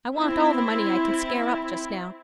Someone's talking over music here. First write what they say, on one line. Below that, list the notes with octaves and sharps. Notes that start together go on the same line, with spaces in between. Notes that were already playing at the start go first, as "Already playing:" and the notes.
I want all the money I can scare up just now.
C4 E4